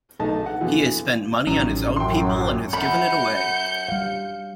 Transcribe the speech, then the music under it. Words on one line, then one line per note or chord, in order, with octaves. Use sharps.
He has spent money on his own people and has given it away.
B1 A3 D#4 A5
F#5
F2 B2 D3 E3
A1 F#2 D#3 C#4
F#2 G5 C6
F#2 B5 G6 C#7
G3 F5